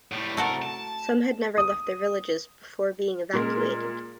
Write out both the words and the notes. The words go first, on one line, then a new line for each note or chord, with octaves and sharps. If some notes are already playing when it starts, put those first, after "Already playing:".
Some had never left their villages before being evacuated.
A2 G3
C2 A3 F#4 A4 A#4
A5
D#6
A#2 G#3 A#4